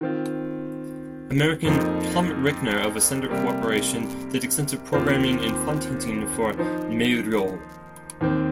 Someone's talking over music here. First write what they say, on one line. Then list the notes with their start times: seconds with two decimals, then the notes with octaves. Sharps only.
American Tom Rickner of Ascender Corporation did extensive programming and font hinting for Meiryo.
0.01 D#3 C4 F4
1.65 F2 F3 A#3 D#4
3.29 C3 G3 A#3
4.93 D#2 D#3 C4 F4 C5
6.57 F3 D#4 C5
8.21 D#2 D#3 C4